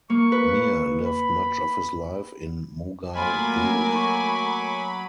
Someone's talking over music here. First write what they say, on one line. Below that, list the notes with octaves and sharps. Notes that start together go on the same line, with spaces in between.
Mir lived much of his life in Mughal Delhi.
A#3 C#6
B4
B5
F#3 A3 A#3 F4 G#5 B5 D6
C#6